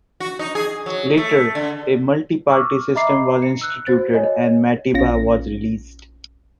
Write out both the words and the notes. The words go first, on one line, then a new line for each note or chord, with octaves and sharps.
Later, a multiparty system was instituted and Matiba was released.
F#4
D#4
G#4
F#3
A3
D3
C#6 D6 E6 F6
D#5 E5 A#5 B5 D6 C7
C#7
E6 F#6
F#4 C5 A6
C#5 D#5 G#5
A#1 C#4 F4 A#6